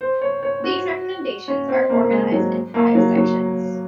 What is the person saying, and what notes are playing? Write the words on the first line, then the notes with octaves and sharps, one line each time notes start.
These recommendations are organized in five sections.
C5
C#5
C#5
F#4
C#4
C4
A#3
A#3
G#3
F#3
A#3
F#3
F#3